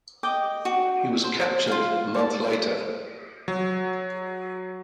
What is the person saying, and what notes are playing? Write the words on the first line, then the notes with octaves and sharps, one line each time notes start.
He was captured a month later.
D#5 G5 D6
F#4
C5
F4 F5
D5 A5
F#3